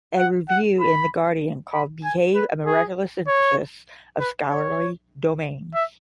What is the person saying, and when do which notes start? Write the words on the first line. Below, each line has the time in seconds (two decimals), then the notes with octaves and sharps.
A review in "The Guardian" called "Behave" "a miraculous synthesis of scholarly domains".
0.18 F#5
0.49 F#5
0.80 B5
1.72 B5
2.04 G#5
2.35 B4
2.66 G#4
3.27 C#5
4.20 B4
4.51 C#5
5.74 E5